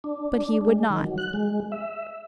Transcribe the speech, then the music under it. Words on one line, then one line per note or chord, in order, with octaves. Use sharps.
But he would not.
D4
D4
G#3
D#3
F#3
F#6
G#3
E5